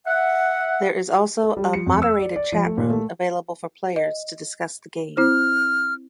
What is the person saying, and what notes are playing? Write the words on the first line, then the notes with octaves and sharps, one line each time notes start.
There is also a moderated chat room available for players to discuss the game.
E5 F#5
A4
G3
C#7
F2
E6
D5
D5
F3
A3
A#2
A3
D#5
C4 E4 C5 F6